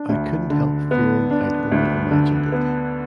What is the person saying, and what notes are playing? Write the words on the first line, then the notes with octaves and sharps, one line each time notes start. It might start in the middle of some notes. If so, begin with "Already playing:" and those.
I couldn’t help fearing I’d only imagined it.
Already playing: D4
D2
D3
B3
D4
D2
D3
B3